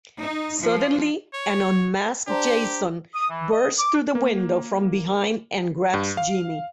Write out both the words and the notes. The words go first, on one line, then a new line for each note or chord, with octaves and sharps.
Suddenly, an unmasked Jason bursts through the window from behind and grabs Ginny.
D#4
F3
C#5
D4 G4 C5 A#5
D#6
E3
D#5
D6
A#3
G2
F5